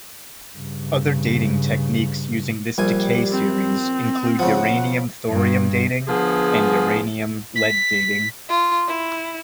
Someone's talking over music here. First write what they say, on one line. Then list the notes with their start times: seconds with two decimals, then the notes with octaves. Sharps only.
Other dating techniques using this decay series include uranium-thorium dating and uranium-lead dating.
0.57 G2 C#3
2.78 A#1 G3 G#5
3.31 C4
4.39 C#3 F3 F#5
5.29 G2
6.08 D3 F3 B3 G#4
7.56 B6
8.49 F4
8.88 E4